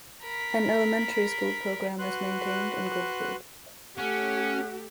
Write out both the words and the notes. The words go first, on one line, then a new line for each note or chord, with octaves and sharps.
An elementary school program is maintained in Goldfield.
A#4 B5
F#4 B4 C6 F#6
A3 C#4 G4 F#5